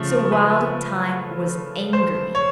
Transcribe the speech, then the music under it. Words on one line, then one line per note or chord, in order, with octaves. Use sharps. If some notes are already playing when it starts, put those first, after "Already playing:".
So Wild Thyme was angry.
Already playing: C#3 F3 A3
B4
C5
C#5